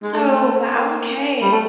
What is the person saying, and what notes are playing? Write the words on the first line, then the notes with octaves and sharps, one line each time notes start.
Oh, wow, okay.
G#3
A3
A#3
G3
A3